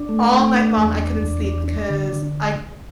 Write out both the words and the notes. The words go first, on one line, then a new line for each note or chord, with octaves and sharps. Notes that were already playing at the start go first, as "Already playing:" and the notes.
All night long, I couldn't sleep because I c
Already playing: D4
A3
A3
D4
E2
D4
E2
D4
D4
D3
D3